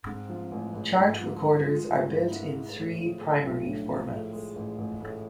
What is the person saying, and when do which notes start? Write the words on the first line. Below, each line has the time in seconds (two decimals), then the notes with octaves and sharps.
Chart recorders are built in three primary formats.
0.07 G#2 C4
0.29 F3
0.41 C4
0.51 A1
0.74 A1 G#4
0.96 G#2
1.19 F3 F4
1.41 G#2 E4
1.64 G#3 F4
1.86 G#1 F4
2.08 G#1 E4
2.32 G#2
2.54 G#3
2.76 A2
2.98 F3 G#4
3.21 A3 A4
3.43 B1 F4
3.65 A2 D4
3.88 F3 C4
4.11 A2 G#4
4.33 G#3
4.56 A1
4.78 A1
5.00 A2